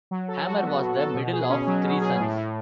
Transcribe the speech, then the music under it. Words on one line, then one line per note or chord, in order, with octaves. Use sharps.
Hammer was the middle of three sons.
F#3
A4
F#4
B3
F#3
A4
B2
G#4
C#4
F#3
B2
G#4
A2
A2